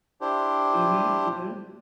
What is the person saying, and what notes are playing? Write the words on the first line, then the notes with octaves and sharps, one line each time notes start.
Mhm, mhm.
D4 E4 G4 C5